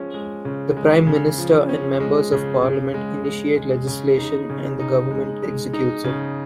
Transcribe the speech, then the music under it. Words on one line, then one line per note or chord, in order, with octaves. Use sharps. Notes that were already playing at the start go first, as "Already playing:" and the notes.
The Prime Minister and members of Parliament initiate legislation and the government executes it.
Already playing: F3 G#3 C#4
G#3
C#3
G#3
C#3
F3
C#4
G#3
C#3
C#3
G#3
G#3
G#3
C#3
D#4
C#3
D#4
G#3
G#3
D#4
C#3